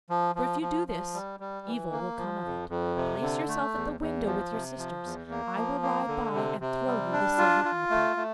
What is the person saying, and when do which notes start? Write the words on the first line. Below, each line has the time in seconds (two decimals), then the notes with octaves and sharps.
For if you do this evil will come of it. Place yourself at the window with your sisters; I will ride by and throw you the silver apple.
0.10 F3
0.35 F3
0.62 F3
0.87 F3
1.14 G3
1.40 G3
1.66 E3
1.92 A#3
2.18 F3
2.44 F2
2.70 F2
2.96 C3
3.22 D3
3.48 A3
3.74 E2
4.00 E2
4.26 F3
4.52 C3
4.78 F3
5.04 E2
5.30 A#3
5.56 F3
5.83 A#3
6.08 D3
6.34 C3
6.61 C3
6.87 G3
7.12 D4
7.38 F4
7.65 F4
7.90 A3
8.17 A3